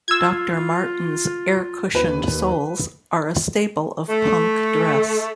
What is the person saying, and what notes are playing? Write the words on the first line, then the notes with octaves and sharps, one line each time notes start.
Doctor Martens air-cushioned soles are a staple of punk dress.
F4 E6 G#6
D#2 B4
A3